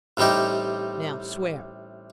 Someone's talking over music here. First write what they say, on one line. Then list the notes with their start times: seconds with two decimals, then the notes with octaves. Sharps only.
Now swear.'
0.17 A1 C3 G3 D#4 G4